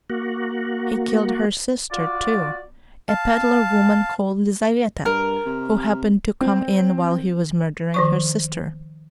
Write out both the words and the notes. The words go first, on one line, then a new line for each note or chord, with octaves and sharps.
He killed her sister too, a pedlar woman called Lizaveta, who happened to come in while he was murdering her sister.
A#3 F#4
F4 F#4 D5
F5 A5
G2 A#4
C3
C4
D#3 F3 C#6